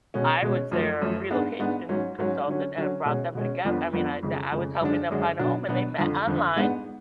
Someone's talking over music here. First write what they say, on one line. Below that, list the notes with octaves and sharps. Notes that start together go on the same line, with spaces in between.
I was their relocation consultant, and I brought them togeth I mean, I d I was helping them find a home, and they met online
B2 G#3 C#4
B2 G#3 C#4
F#2 F3 A3
F#2 F3 A3
G#2 G#3 B3 D4
G#2 G#3 B3 D4
G#2 F#3 C#4
G#2 F#3 C#4
D3 F#3 C#4
D3 F#3 C#4
B2 G#3 C#4
B2 G#3 C#4
F2 F3 B3 D4
F2 F3 B3 D4
F2 C#3 G#3
F2 C#3 G#3
F#2 D3 G#3 D4
F#2 D3 G#3 D4
B2 F#3 B3 D4
B2 F#3 B3 D4
F2 D3 F3
F2 D3 F3
G#2 G#3 B3 D4